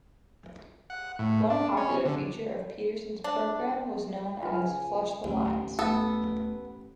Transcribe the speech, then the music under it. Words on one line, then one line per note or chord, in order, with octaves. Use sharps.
One popular feature of Peterson's program was known as Flush The Lines.
F#5
A2
D4
C#4
D3
D4
C#3 F4 B4 G#5
A1 D2 G#3 A3
D1 A3 B3 A4